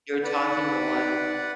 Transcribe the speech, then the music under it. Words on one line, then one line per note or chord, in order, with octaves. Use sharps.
You're talking to one.
D#4 B4 D5 F#5